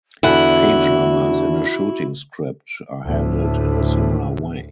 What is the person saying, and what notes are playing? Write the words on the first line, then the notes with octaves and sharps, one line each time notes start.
Page numbers in a shooting script are handled in a similar way.
E2 D3 E4 F#4 F#5 G#5
D2 A2